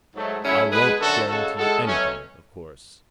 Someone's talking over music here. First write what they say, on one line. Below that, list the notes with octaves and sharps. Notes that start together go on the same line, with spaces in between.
"I won't guarantee anything, of course...."
G#2 F#3 A3
C#3 F#3 A3 C#4 E4
B2 G#3 G#4 B4
F#2 D3 A3 F#4 A4
C#3 G#3 F#4 A4
A2 G#3 F#4 A4
B2 F#3 A3 C#4